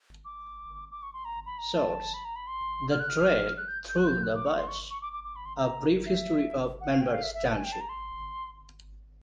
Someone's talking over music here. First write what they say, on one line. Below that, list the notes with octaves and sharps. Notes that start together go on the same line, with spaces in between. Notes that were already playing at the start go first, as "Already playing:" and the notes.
Source: The Trail Through The Bush - A brief history of Manvers Township.
D6
D6
C#6
C6
A#5
B5
A#5
A5
B5
A#5
B5
C6
F6
F#6
F6
F#6
G6
G6
F#6
G6
F#6
D6
C#6
C6
C#6
C#6
D6
D6
D6
B5
C6
A#5
E5
F#5
F5
G5
F5
E5
E5
F#5
A5
G#5
G5
A5
A#5
C6